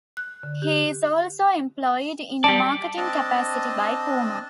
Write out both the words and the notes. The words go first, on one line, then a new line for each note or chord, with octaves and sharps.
He is also employed in a marketing capacity by Puma.
F#6
D3
G4
G3 D5 A5
C4 D4 D#5 A5